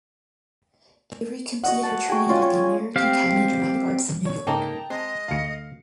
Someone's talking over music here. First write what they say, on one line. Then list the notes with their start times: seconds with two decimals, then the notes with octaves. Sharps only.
Avery completed her training at the American Academy of Dramatic Arts in New York.
1.63 F#4 D#5 F#5
1.83 A5
2.09 F#4 G#4 G5 G#5
2.29 C#4 F4 D#5
2.42 C#5
2.64 G#5
2.96 C4 G4 F5
4.26 C#5
4.47 G#2 C#3 A#3 D#4 A#4 G5 A5 A#5
4.90 G#3 C4 D#5
5.28 D2 F5 A5 C#7